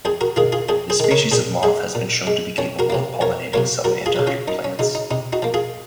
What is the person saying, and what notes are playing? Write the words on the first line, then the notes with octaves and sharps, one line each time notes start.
This species of moth has been shown to be capable of pollinating subantarctic plants.
F2 G#4 C5
F#4 A#4
D#3 G#3 F4 G#4
F4 G#4
F2 G#4 C5
G#4 C5
D#3 G#3
A#4 C#5
A#2 G#4 C5
G#3 G#4 C5
A#2
G#3
F2 C#4
F#4 A#4
C3 F#3 A#3
F2 A#4 C#5
C3 F#3 A#3 A#4 C#5
F#2 F#4 A#4
F4 G#4
C#3 F#3
C#4 F4
F#2 D#4
C#4
C#3 F#3 D#4
D#4
C3 D#4
D#4 F#4
F3 A#3
F4 G#4